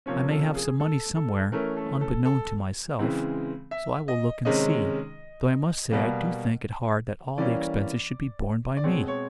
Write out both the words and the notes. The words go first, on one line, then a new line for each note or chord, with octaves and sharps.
I may have some money somewhere, unbeknown to myself, so I will look and see; though I must say I do think it hard that all the expenses should be borne by me!'
C3 F3 A#3 C#4 C#5
A4
G#4
A4
A4
E3 A3 C#4 A#4
A4
A4
A4
C#3 E3 G#3 C4
E5
D#5
C3 D#3 G#3 C#4 D#5
B2 G3 A#3
E3 G3 A#3 C#4 D5
D5
B2 G#3 C4 C#5
C#5